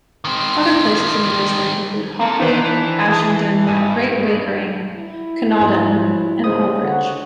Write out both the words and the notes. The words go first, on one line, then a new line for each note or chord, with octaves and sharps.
Other places in the district include Hockley, Ashingdon, Great Wakering, Canewdon and Hullbridge.
D#3 C4
C4 A4
D#3 E3 D4 C5
G#4 A5 D#6
G#1 G2 G#5
E4
G#2 F3 F#3
G#2 C#3 D#6
D3 F#4